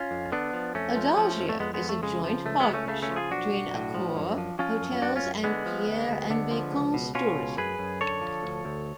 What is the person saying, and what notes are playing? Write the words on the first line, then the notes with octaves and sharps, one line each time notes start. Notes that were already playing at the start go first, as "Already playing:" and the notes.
Adagio is a joint partnership between Accor hotels and Pierre and Vacances tourism.
Already playing: C#4 F4
F2
D3 B3 D4
F3
F2 A3 C#4
F3
F3
F2
A3
F2 G#3 B3
G#3 B3
F2
A3
C#3 G#3
F3
C#2 A3
G#3 B3
C#2
A3 C#4
C#3 A3
A3 C#4
F3
F4 G#4
B1 D4 F#4
B1
A2
F3
F#2
F3
F3 C#4 F4
F#2
F#2 D4 F#4
C#4 F4
F#2
D3 G#3 B3
F3
D2
D2
D3
F3
C#2
B2
B2 C#4 F4
C#2
F#2 G#4 B4
F#2
D3 A4 C#5
F3
D2
D2